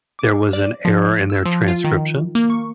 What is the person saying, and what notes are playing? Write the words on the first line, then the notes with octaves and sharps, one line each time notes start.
there was an error in their transcription?
D6
D5
F3
E6
F3
F4
D#3
A#3
C#6